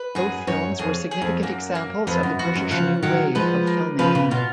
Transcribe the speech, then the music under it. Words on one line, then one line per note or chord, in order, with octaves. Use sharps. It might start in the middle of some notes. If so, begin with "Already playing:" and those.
Both films were significant examples of the British New Wave of film-making.
Already playing: B4
F#2 G#4
F#2 C#5
F2 G#4
G#4
F2
F#2 A#3
A#3
F2 B3
F#2
F2 F#4
F#2
C#3 F3 F#5
D#3 F#3 F#5
F3 G#3 B4
A#3
C#3 F3 B4
C#3
B2 F4